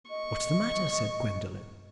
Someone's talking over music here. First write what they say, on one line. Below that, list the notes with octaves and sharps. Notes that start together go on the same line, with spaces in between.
"What's the matter?" said Gwendolen.
D#5 C#6